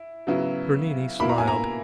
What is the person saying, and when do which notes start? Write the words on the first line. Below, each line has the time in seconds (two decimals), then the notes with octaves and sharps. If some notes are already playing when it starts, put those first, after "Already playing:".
Bernini smiled.
Already playing: E4
0.27 C#3 F#3 B3 E4
1.20 B2 A#3 E4 B5
1.29 A#5
1.38 G#5
1.48 A#5